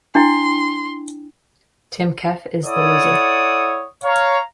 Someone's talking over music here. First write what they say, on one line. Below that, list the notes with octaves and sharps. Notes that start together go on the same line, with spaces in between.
Tim Keefe is the loser.
D4 E4 G5 C6
E4 A4 C#5 D5 F#5 D#6
C#5 F5 A#5